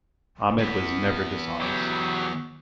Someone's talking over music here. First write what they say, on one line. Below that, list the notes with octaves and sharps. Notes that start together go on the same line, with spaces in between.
Ahmed was never dishonest.
E3 B3
F#3 G4